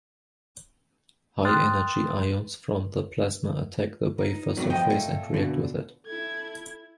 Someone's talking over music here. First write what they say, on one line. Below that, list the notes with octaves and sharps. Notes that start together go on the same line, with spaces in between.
High-energy ions from the plasma attack the wafer surface and react with it.
G5 C6 D#6 F6 F#6 A6
D#4
G2 F#3 G3 A3 B3
F3 B3 F4 D#5 G5
A#2 A3 A4
B2 D3
E4 A4 G#6